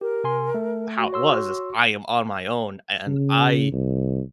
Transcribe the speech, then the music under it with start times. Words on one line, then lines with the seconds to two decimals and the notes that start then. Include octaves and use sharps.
how it was is, "I am on my own," a and I
0.01 G4 A#4
0.24 C3 G#5 C6
0.54 A3
0.97 F#4
1.13 C#5 C6 E6
3.07 C#3
3.73 C2